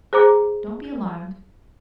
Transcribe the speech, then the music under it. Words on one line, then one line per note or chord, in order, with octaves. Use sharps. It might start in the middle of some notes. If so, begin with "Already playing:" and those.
Don't be alarmed.
G#4 C5 A#5 D6